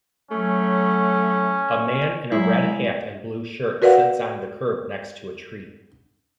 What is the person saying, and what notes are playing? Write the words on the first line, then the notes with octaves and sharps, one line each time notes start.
A man in a red hat and blue shirt sits on the curb next to a tree.
F#3 A3 C#4
F#3 G#3 E4
F#4 A#4 B4 D5 F5 F#5